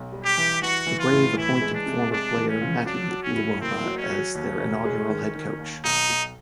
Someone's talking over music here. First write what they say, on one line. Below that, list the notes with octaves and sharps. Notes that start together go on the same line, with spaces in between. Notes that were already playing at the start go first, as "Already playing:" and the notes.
The Brave appointed former player Matti Luoma as their inaugural head coach.
Already playing: B1
G3
G4
E3
E3 F#4
E3
F4
A2
E3 E4
G#3
D4
C3
G#3 D4
E3
C#4
C#2
F#3 D4
F#3
C#4
A2
A#3 C4
F#3
C#4
F#3
D#2 C#4
E1
G#3
D#3
D#3
D#2
B1 D#4
B1